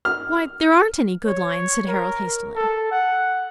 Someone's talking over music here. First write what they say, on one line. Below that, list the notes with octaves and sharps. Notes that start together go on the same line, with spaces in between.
"Why, there aren't any good lions," said Harold, hastily.
F6
C#5
A#4
A4
F#5